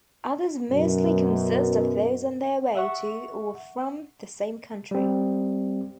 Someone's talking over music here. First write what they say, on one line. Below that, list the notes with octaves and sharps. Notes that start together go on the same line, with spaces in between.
Others mostly consist of those on their way to or from the same country.
F#2 B2
E5 F#5 C#6
G3 C4